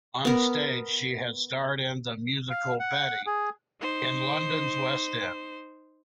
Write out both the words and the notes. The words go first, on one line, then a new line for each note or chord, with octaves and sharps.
On stage she has starred in the musical "Betty", in London's West End.
B3 A#4
F5
F#5
G#4
D#4 C5